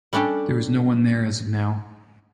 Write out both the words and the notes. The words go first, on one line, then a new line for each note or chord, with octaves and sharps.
There is no one there as of now.
G3 C#4 D4 G4 A4